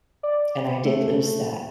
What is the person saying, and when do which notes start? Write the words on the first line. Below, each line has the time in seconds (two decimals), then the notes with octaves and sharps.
and I did lose that
0.23 D5
0.85 A3